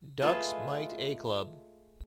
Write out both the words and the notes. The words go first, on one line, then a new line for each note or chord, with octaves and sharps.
Ducks Mite A club.
G#3 A3 F4 B4